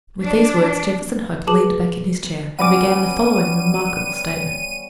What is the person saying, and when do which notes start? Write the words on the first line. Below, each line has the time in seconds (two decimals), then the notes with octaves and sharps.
With these words, Jefferson Hope leaned back in his chair and began the following remarkable statement.
0.22 D4
1.47 G#4 B4 A5 D6 E7 F#7
2.59 G3 B3 C#4 F#5 D6 D#7